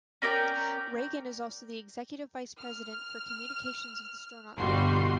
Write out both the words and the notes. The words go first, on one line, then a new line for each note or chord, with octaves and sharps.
Regan is also the executive vice president for communications of the Stronach Group.
C#4 A#4 D5 G5
F6
G1 B2 G3 F4 F#4 C6